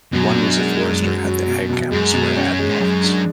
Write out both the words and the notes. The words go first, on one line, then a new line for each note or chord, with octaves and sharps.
One was a forester at the Ag campus where I had an office.
F#2 B2
D4
G#3
G#3
F#3
F#3
B2
B2
F#2 G#3
B2
C#4
G#3
G#2
F#2 G#3
D4